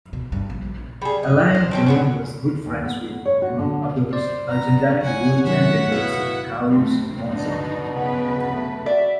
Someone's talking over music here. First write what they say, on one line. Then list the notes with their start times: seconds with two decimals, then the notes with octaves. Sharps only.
Alain Delon was good friends with, among others, Argentine world champion boxer Carlos Monzon.
0.13 B2
0.32 G2
0.50 A#1
1.02 G3 G#4
1.23 D#5
1.55 C5
1.71 F3 C4 C#4
1.86 B2 F#3 C#4
2.66 D#2
2.85 B3
3.26 C#5
3.42 F#4
3.59 D3
4.13 C5 D5
4.49 B3 A#5
5.01 C#5 F#5 G#5
5.45 D#3 F#3 C#4 E5 F#5
5.92 B2 E4 F5
6.69 A3 C4
7.28 B2 D3 D4 D#4
7.96 C#3 B3 B4
8.54 A3
8.86 F#4 D5 E5